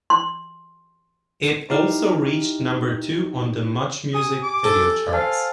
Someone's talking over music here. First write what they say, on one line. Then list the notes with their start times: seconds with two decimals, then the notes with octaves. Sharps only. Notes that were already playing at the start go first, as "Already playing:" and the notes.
It also reached number two on the "MuchMusic" video charts.
0.10 C6
1.70 D#4 E4 G4 F6
4.14 G4 G#5 D#6
4.42 D6
4.64 A4
5.13 C5 F5 G#5 A5